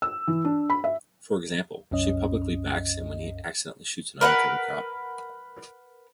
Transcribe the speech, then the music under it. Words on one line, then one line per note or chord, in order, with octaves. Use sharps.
For example, she publicly backs him when he accidentally shoots an undercover cop.
E6
E3
D4
B5
E5
C2 F#2 C#4 D#5
A#4 B4 E5 F#5